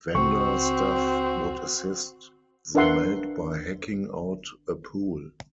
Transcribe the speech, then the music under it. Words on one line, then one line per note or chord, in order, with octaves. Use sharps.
Vanda staff would assist the melt by hacking out a "pool".
C#2 C4 F#4 C#6
D4 A#4 B4 E5 F#5 C6